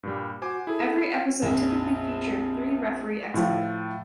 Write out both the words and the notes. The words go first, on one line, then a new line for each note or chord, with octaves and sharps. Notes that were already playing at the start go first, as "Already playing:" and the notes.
Every episode typically feature three Referee Expert.
G2 A#2 G3
F#4 C5 G#5 D6
E4 G#4 A4
F4
A#1 F2
A2 F3